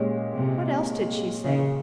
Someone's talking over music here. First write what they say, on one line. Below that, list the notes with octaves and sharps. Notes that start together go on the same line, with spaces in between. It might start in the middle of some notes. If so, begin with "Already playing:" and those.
"What else did she say?"
Already playing: A#2 G#3 C#4 G4
C3
C#3